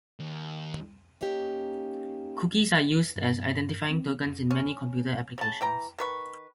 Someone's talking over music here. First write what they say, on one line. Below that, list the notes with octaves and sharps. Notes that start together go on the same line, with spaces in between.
Cookies are used as identifying tokens in many computer applications.
D#2
A#3 C#4 D#4 G4
G2
C4
C#4
C#3 A5
E3 G5 A#5
D#3 B4 C#6